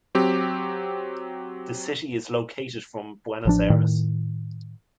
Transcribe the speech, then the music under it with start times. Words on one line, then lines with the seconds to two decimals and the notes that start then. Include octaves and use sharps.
The city is located from Buenos Aires.
0.15 F#3 C4 G4
3.45 A1 F3 D4
3.70 A2 D#3